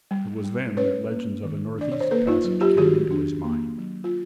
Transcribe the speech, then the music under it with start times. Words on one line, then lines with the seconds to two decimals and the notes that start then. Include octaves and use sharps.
It was then that legends of a North-East Passage came into his mind.
0.11 G3
0.44 G3
0.77 C#4 B4 C#5
1.11 A#3
1.43 D#3
1.78 D4 D5
1.92 C#5
2.00 C5
2.11 A#3 A4 B4
2.27 D#4 F4
2.44 F#3
2.61 F4 G4
2.77 D#3 F#4 G#4
3.11 D4
3.44 A#3
3.78 F#3
4.04 F4